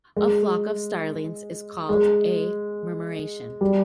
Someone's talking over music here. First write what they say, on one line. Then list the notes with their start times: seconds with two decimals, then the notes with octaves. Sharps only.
A flock of starlings is called a murmuration.
0.17 G#3
1.89 G#3
3.61 G3